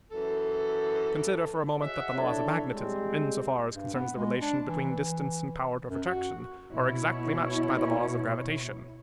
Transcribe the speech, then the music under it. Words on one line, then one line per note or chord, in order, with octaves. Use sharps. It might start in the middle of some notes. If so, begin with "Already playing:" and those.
"Consider for a moment that the laws of magnetism, insofar as concerns the relation between distance and power of attraction, are exactly matched by the laws of gravitation."
F#2 E3 A4
F#4 G#4 C#5 D#5 E5 F#5
F#3 A3 D4 E4 A4 C#5
G3 G#3 C4
G2
B3
G#3
D4
E3
E3
F#2
F#4
B2 E4 C#5